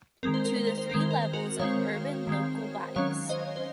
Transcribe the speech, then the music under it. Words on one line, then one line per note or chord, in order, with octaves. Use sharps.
To the three levels of urban local bodies.
D#3 G#3 C4 A#4
C5
A#4
C5
A#4
C5
D#3 G#3 C4 A#4
C5
A#4
C5
F#4 A#4
D#3 G#3 C4 C#5 F5
D#3 G#3 C4
D#3 F#3 C#4 C#5 F5
C5 D#5
C5